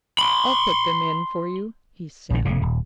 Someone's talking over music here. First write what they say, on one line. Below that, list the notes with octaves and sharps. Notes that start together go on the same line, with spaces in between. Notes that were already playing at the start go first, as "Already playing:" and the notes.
"I'll put them in for you," he said.
B5 C6
A#1 D#3
F1 A2 C#3
D#1